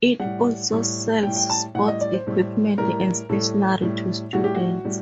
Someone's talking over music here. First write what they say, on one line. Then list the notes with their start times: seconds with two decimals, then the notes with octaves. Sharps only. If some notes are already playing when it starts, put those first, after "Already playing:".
It also sells sports equipment and stationery to students.
0.20 A2 G3 F#5
0.72 A2 G3
1.23 A2 G3 G5
1.36 G5
1.50 A5
1.75 A2 G3 F#5
1.88 D#5
2.01 D5
2.14 C5
2.27 A2 G3
2.78 A2 G3 A#4
3.29 A2 G3 A4
3.82 A2 G3
4.33 A2 G3 F#4
4.44 G4
4.55 F#4
4.84 A2 G3